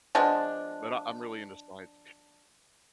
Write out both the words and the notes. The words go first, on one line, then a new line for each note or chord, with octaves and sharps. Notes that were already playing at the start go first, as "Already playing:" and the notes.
But I I'm really into science.
F3 G#3 B3 D4